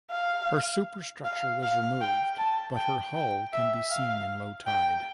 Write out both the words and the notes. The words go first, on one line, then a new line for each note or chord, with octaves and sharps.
Her superstructure was removed but her hull can be seen in low tide.
F5
F5
F5
G5
A5
G5
G5
E5
F5
G5